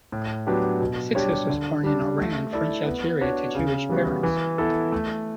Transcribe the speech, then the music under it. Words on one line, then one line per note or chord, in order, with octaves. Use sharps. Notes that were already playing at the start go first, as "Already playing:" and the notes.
Cixous was born in Oran, French Algeria to Jewish parents.
A2
F#3 B3 D4 G4
B2
G3 D4 G4 C#5
D3
G3 D4
A3
E4 A4 D5
B3
D4 F#4 C#5
C#3
E3 G3 B3 F#4
E3
B3 E4 A4
A3